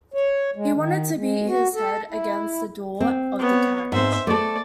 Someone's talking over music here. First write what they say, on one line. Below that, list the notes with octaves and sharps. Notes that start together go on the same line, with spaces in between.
He wanted to beat his head against the door of the carriage.
C#5
G#3
D#3
G#3
F#4
A4
E4
C4
B3 C#5
G#2 C4 C5 E5
A3 A4 D5